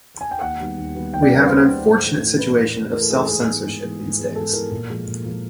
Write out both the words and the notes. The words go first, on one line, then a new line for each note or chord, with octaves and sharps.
We have an unfortunate situation of self-censorship these days.
G#5
G5
D#2 F#5
D#3 G3 B3
D#2
D#3 G3 B3
D#2 G5
D5
D#3 G3 B3 A#4
B4
D#2 C5
D#3 G3 B3
A2
E3 A3
A2
E3 A3 B4
A2
E3 A3
A2 A#4
A4
E3 A3 G#4
A4
G#2 G#4
E3 G#3 B3
G#2
E3 G#3 B3
G#2
E3 G#3 B3
G#2 A4
E3 G#3 B3 A#4
A#2
F3 G#3
A#2
F3 G#3